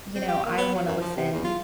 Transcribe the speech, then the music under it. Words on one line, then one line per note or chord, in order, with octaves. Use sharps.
You know, I wanna listen,
C4
G4
A#3
B3
F#3
F#2
F3
C3
E2
F4